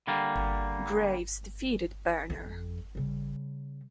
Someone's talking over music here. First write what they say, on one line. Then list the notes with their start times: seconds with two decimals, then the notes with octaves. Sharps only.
Graves defeated Burner.
0.07 D3 G3 A#3
2.30 F2
2.95 C#3 G3